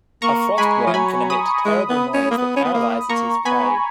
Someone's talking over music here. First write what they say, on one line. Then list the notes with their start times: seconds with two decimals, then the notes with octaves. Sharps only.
A frost worm can emit terrible noise that paralyzes his prey.
0.22 A#3 A#5 C#6
0.58 G#3 G#5 B5
0.87 F3
0.93 F#3 G#5 B5
1.30 B5 D#6
1.66 G#3
1.90 B3
2.14 C#4
2.31 A#3
2.38 B3
2.57 C#4
2.65 B3
2.74 A#3
3.09 A#3 A#5 C#6
3.45 B3 G#5 B5